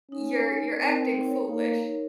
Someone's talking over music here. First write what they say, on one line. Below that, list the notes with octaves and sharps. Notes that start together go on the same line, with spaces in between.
"You're you're acting foolish"
C#4 D#4
D#4
A#4
C4 A#4
D#4
C#5
A#3 D#4
A#4